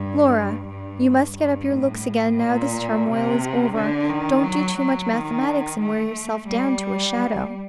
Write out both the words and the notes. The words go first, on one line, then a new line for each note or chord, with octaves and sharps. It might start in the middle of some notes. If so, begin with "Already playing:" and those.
'Laura, you must get up your looks again, now this turmoil is over. Don't do too much mathematics, and wear yourself down to a shadow.'
Already playing: G2
G2
G2
A2
A#2
C3
D3
D#3
F#3
F#3
D#3
A3
G3